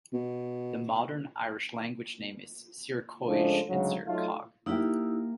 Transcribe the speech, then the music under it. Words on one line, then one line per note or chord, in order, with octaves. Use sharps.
The modern Irish language name is Searcoig or Searcog.
B2
C#3 F3 G#3 A3 D4
D2 G#2 C#3 F#3
F#3 A3 D#4 F4
A#3 D#4 E4 G4 E5 G5